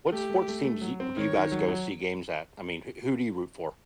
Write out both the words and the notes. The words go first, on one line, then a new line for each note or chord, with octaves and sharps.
What sports teams do y do you guys go see games at? I mean, who who do you root for?
A3 G4
A3
A3
A3
F#3
C4
D#3 C#5
D#3
F#3
F#3